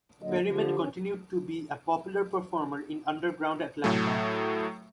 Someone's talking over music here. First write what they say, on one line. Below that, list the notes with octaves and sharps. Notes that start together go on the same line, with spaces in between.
Perryman continued to be a popular performer in Underground Atlanta.
A#2 D3 F#3 D#5
D3 F3 G4
C#4
A2 F#3 A3